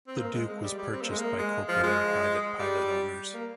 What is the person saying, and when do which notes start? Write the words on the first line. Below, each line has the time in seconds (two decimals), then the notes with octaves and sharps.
The Duke was purchased by corporate and private pilot owners.
0.07 C4
0.18 A#3
0.33 G#3
0.48 G#3
0.63 G3
0.78 G3
0.93 C4
1.01 A#3
1.09 G#3
1.18 A#3
1.39 G#3
1.69 F3
1.83 G#3
2.59 G3
3.34 A#3